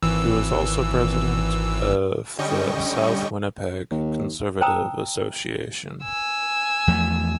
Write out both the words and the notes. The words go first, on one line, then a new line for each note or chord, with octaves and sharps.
He was also president of the South Winnipeg Conservative Association.
G#1 E3 E6
D3 G3 C#4 D#5 G5 C#6
D#2
C5 G5 A5 A#5 D#6 E6
G#5 E6
E2 F3 A3